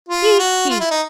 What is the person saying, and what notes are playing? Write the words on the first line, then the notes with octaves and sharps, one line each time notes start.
He! he!
F4
F#4
F4
E4
D#4